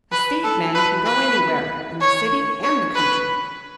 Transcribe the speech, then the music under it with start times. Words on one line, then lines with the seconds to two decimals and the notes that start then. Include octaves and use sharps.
A seed man can go anywhere, in the city and the country.
0.12 B4
0.44 A4
0.75 B4
1.06 B4
2.01 C#5
2.64 C#5
2.95 B4